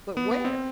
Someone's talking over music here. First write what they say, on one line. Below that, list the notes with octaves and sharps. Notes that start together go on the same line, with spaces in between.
But where?
B3
B3
C4